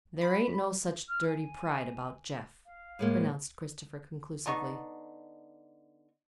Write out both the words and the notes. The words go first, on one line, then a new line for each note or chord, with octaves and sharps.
"There ain't no such dirty pride about Jeff," pronounced Christopher conclusively.
B5
F6
G#5
F5
A2 G#3 A#3
D3 B3 D#4 C#6